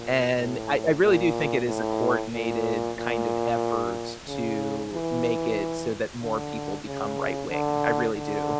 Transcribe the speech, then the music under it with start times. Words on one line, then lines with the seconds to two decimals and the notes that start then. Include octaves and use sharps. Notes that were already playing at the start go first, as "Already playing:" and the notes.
and I I really do think it is a coordinated kind of effort to make it so that more people become right wing. I really do.
Already playing: A#2
0.38 A2
1.03 A#2
1.67 A2
2.33 A#2
2.98 A#2
4.28 C#3
4.93 E3
6.22 D3
6.86 C#3
7.51 D3
8.16 D3